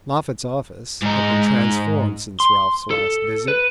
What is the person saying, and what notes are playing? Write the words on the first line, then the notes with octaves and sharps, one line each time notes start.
Moffatt's office had been transformed since Ralph's last visit.
G#2 D#4
C6
A4
B4